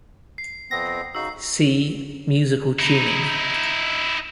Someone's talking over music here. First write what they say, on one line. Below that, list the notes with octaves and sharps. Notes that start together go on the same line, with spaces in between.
See: musical tuning.
C7
F2 B3 C4 A#6
C#3 D#4 F#4 E6 C7
D#4 E4